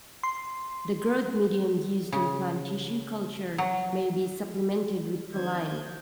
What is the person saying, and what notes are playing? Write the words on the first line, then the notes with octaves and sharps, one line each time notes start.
The growth medium used in plant tissue culture may be supplemented with proline.
C6
C#3
F#3
D#3 C4 D4 C5 G6 G#6